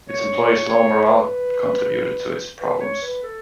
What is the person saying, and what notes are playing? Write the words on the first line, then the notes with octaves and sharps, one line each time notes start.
Its employees' low morale contributed to its problems.
C#5
C#5
B4
B4
C#5
B4
A4